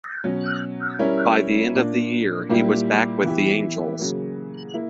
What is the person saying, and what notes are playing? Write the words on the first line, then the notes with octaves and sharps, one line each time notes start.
By the end of the year, he was back with the Angels.
B2 F#3 C#4 F#4
G3 C#4 E4 A#4 C#5
A#2 A#3 D4
A#2 G3 A#3 E4 G4
E3 B3 E4 G4
C#3 F#3 A#3
A#3 E4